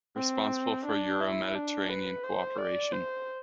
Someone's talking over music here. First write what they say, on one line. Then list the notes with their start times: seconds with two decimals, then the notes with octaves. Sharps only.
Responsible for Euro-Mediterranean cooperation.
0.17 C4
0.86 D4
1.20 E4
1.55 D4
1.89 B4
2.24 C5
2.58 D5
2.93 C5